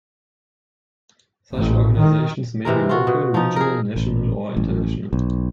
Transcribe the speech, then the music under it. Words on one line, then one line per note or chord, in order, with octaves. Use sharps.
Such organizations may be local, regional, national, or international.
A1
D#3
C3 E3 G#3 A#4
F4 F#4
B2
F3 D#4
G#4 A#4
A1
A1
B1